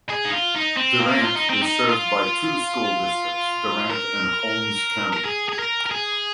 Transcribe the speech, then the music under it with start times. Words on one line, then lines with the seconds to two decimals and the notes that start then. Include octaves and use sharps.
Durant is served by two school districts - Durant and Holmes County.
0.10 G#4
0.25 D#4
0.32 F4
0.55 D#4
0.77 C4
1.00 A#3
1.22 F4
1.35 D#4
1.50 C4
1.62 D#4
1.89 F4
3.90 A#4
5.13 A#4
5.25 G#4
5.48 G#4
5.59 A#4
5.86 A#4
5.91 G#4